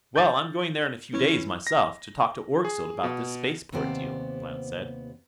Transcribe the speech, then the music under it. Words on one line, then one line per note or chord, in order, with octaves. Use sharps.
"Well, I'm going there in a few days, myself, to talk to Orgzild about this spaceport deal," Blount said.
G6 A6
E3 C#4
A#6
G#4
B2
D#2 C3 B3 C5 D5